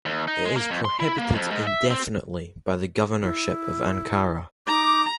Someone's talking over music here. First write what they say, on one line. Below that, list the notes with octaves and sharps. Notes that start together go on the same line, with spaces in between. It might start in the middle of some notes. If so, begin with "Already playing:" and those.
It is prohibited indefinitely by the Governorship of Ankara.
D#2
D#4
G#3
A#3
F2
C6
E4
A#3
F2
G#2
E5
C4
E4
D#4 A#5 D6